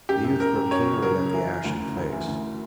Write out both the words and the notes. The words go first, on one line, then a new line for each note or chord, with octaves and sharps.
The youth looked keenly at the ashen face.
F#2 G4
F#2
F#2 A#4
F#2
F#2 C#5
C#3
F#3 A#4
C#3
E3
E3
D2
C#3
D2
E3
D2